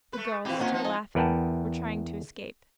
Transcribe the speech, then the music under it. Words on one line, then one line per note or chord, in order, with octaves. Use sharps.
The girls, still laughing, were trying to escape.
A3 B4
C#6
E2 B2 E3 C4 E4 F4 G4 B4
A#2 D#3 F#3 A#3 C#4 F4 E5 F#5
F3 D#4
F2 E4 D#5 G#5
E2 A#4 B4 F#5 G5 A5